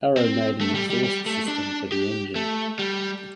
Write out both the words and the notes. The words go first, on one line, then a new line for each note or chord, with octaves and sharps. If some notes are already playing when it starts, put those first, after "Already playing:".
Arrow made an exhaust system for the engine.
C4
A3
G3
G3
G3
A3
D4
G4
A3
G3